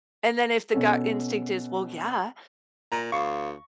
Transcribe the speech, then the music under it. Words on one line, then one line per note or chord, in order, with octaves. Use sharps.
And then if the gut instinct is, "Well, yeah."
B2 C#4 A4
A#2 A#5
D2 F5 C#6